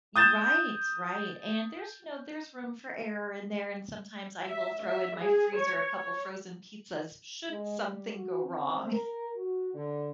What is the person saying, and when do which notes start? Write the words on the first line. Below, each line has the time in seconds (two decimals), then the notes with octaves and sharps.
Y right, right, and there's, you know, there's room for error in there, and sometimes I will throw in my freezer a couple frozen pizzas should something go wrong.
0.16 D#6 G6 A6 E7
4.46 E5
4.82 E5
5.17 G#4
5.56 C#5
5.92 C#5
7.49 G#3
7.80 G3
8.14 F#4
8.44 C4
8.92 A#4
9.36 F#4
9.74 D3